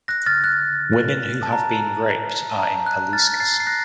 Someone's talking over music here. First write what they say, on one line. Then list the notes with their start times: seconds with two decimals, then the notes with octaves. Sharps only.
Women who have been raped are in police custody.
0.08 F#6 A#6
0.26 F6 A6
0.44 F#6
1.43 A5
1.52 A#5
2.52 A5
2.60 A#5
2.86 F#6
3.13 F6 A6
3.40 A6 C7
3.60 C7
3.67 F#6 A#6